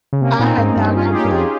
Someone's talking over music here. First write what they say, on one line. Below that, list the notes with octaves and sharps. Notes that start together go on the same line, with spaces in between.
I have not I've no
C#3
C3 A#3 C#4
C#4
A#2 C4 D#4
G#2
G2
C#4 F4
G#4
D#4 G4
G2
F2 F4 G#4